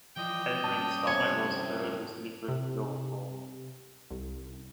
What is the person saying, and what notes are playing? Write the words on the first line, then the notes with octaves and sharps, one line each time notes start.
Edwin's stomach was filled with liquid chloroform.
E3 F3 D5 D#5 G5
G2 C#4 A5 D#6
C3 C#5
C3
C2